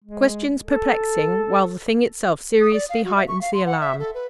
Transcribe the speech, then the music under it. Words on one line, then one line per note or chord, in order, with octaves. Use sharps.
Questions perplexing, while the thing itself seriously heightens the alarm.
G#3
A4
D#6
D5
F5
F#4
E5
C#6
F5
C6
F#5
E5
A4
B4